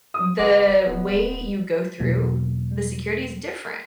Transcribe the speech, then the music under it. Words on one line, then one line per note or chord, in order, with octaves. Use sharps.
the way you go through the security is different,
D#6
F#1 B4 D#5 F#5 D6
D#1 B3
D#1
E2 B2 F#3 A#3